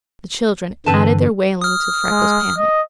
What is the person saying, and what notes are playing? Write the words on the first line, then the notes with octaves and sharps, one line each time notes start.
The children added their wailing to Freckles' panic.
G2 D3 E3 C4 B4 A5
D#6 F6
G#3
D#5